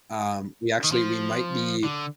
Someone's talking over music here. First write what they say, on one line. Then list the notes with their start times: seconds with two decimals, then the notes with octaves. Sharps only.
um, we actually we might be
0.84 D#3
0.92 F3
1.84 D3